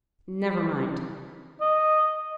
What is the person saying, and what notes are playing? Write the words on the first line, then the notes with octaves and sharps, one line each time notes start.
Never mind.
D#5